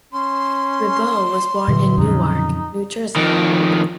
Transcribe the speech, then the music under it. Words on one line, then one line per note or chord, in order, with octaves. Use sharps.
Ribot was born in Newark, New Jersey.
C#4 C6
A#2 D3 E3 F#3
F2 C#3 D#4
F2 D#3